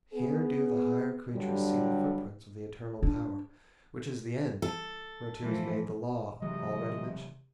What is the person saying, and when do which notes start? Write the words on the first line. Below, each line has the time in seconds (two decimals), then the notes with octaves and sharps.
Here do the higher creatures see the footprints Of the Eternal Power, which is the end Whereto is made the law already mentioned.
0.14 B3 G#4
1.33 G2 D3 F#3 G3
3.03 D4
4.62 A4
5.43 E3 F3 A3
6.42 C3 E3 F#3 G#3 D#5